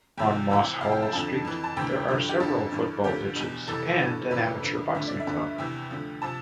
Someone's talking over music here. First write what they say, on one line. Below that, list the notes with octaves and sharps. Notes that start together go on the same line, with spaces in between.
On Mosshall Street, there are several football pitches and an amateur boxing club.
E2 C3 F3 G5
C2 C3 E3
F2 C3 F3 F5
G5
A5
F2 D3 F3 A5
F2 E3
A5
D2 C3 E3 G5
G2 D3 F3
G4
F2 D3 F3 A4
G2 E3
D2 D3 F3 G4
E2 B2
F2 C3 E3 A4
G2 E3
F2 C3 E3 B4
F2 D3 F3
D2 D3 F3 E5
D5
E5
G2 D3 F3
E2 C3 E3 G5
D2 D3 F3
C3 F3 A5